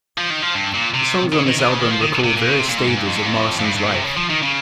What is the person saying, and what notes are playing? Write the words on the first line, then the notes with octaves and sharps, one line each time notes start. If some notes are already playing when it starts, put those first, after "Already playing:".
The songs on this album recall various stages of Morrison's life.
F3
D#3
F3
G2
A#2
C3
C#3
D#3
D#3
C#3
D#3
F3
D#3
C3
A#2
C#3
C3
A#2
G#2
G#2
G2
F2
G2
F2
F2
G2
G2
A#2
C3
C#3
F3
D#3
C#3